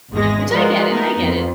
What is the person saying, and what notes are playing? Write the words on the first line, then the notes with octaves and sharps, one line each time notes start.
Which I get it, I get it.
G#1 E2 G#3 G#4 A#6
F3 G#3 F4 F#4 A#4 D5
A3 B3 D#4 A#4
F2